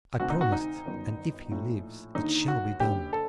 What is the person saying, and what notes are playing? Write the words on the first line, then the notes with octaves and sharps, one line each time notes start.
I promised, and if he lives, it shall be done.
D2 C3 D#3 F#4
D#4
F#4
D#4
G1 F#2 D#3
A#1 A2
D#2 D3 D#4
F#4
F#1 F#2 D3 G4
A4